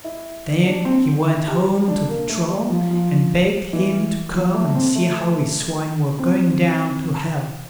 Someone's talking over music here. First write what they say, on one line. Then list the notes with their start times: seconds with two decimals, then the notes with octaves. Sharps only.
Then he went home to the Troll, and begged him to come and see how his swine were going down to Hell.
0.04 E4
0.65 D4
0.85 C4
1.27 E4
1.48 G4
1.88 D4
2.09 A#3
2.29 A3
2.49 G3
2.70 F3
2.91 F3
3.73 E3
4.34 F3
4.54 A3
4.75 C4
4.95 A3
6.19 C4